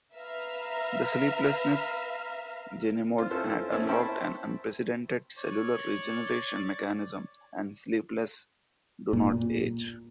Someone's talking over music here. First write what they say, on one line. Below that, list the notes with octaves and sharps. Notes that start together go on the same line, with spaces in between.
The sleeplessness genemod had unlocked an unprecedented cellular-regeneration mechanism, and Sleepless do not age.
B4 E5 F5 A#5 F6
C4 F4
C4 C#4 E4 A4 C5
A#3 C4 C#4 E4 A4 C#5
C5 E5 G5 A5 B5 C#6
C#5 D5
A#2